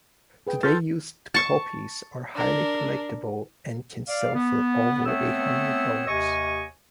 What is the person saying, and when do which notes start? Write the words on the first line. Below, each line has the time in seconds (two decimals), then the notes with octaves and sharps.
Today used copies are highly collectible, and can sell for over a hundred dollars.
0.47 G#4 B4 G5
0.63 F4 A4 B4 C6 C#6 F6 G6 A6
1.34 A5 C#6
2.34 D4 A#4
4.08 D5 F5
4.34 B3
5.06 A3 B3 C4 C#5 E6
6.08 D#2 C3 D#5 G#5 C#6